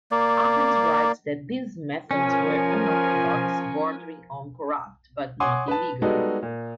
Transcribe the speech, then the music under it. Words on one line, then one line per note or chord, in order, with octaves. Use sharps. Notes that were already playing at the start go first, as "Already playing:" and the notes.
Ahrens writes that these methods were "unorthodox, bordering on corrupt," but not illegal.
A#3 D5
F3 C#4 A#4 G#5
C#5 F#5 G#5 C6 D6 D#6
B4 A5
G3 G#3 B3 D#4 F#4 A4
A#2